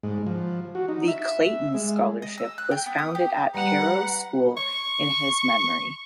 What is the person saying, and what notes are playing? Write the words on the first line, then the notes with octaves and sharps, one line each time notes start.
The Clayton Scholarship was founded at Harrow School in his memory.
G#2
F3
F#4
D#4
E5
G#3
D#5
E6
F#6
G5
B3
D#6
G4
G3 B4 F#5 A#5
C#6